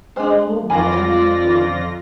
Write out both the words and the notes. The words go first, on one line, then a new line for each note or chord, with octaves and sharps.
O Woman, Woman!
D4 C5
F2 F4 D5 G#5 B5 A#6